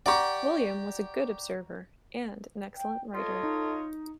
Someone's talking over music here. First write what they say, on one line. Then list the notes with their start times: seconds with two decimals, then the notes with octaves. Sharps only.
William was a good observer, and an excellent writer.
0.06 G4 D5 F#5 A#5 C#6
2.77 G5
3.14 F4 A4 C#5 D#5
3.43 D#4